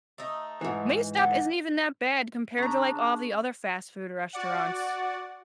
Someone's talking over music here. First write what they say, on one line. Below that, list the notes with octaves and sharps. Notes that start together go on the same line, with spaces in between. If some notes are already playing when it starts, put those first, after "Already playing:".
Wingstop isn't even that bad compared to, like, all the other fast food restaurants.
A3 D#4
G#2 E3
D3
C#3 D4 A#5
F#4 D5 F#5